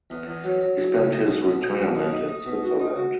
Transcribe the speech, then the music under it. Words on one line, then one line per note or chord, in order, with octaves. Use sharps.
He spent his retirement in Switzerland.
E2
E2
F#3
F#3
F#3
C#3
B1
B1
B1
B1
B1
D#4
D#4
D#4
B2
F#4
D#4
F#4